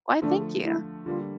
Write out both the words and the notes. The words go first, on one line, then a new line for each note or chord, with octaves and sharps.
Why, thank you.
D3 F3 A3 D4
E4
D3 G3 A#3 F4